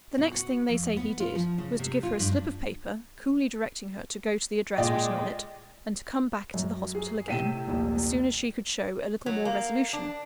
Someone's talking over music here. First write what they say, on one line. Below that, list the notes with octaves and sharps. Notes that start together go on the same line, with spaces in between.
The next thing they say he did, was to give her a slip of paper, coolly directing her to go to the address written on it, and to come back to the hospital again, as soon as she could show a little more resolution.
B2
F#4
F2
B3
F4
F3
C#3
C3
F4
G2
D4
A#2 G#3 D5 D#5 G5
F#2
G#4
A2 C3 B6 D#7 E7
D#1 A#1
F#3
A#3
D4